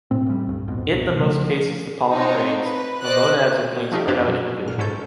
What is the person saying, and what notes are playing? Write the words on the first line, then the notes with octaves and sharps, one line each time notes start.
It the most cases the pollen grains, the "Monads" are being spread out individually.
A2 C4
A2 G3
C#2 G2
E1 F2 G#2 B2
C2 B2
C#3 F3 G#3 A3
C4 D4 D#4 F4 C#5
B4
C5 D5 D#5 F#6
B2
F3 A3 D#4 F4 G4
C#2 F#2 D4 G4 C5 F5
F#3
A1 A#2 F6
G#2 C#4 A4 G6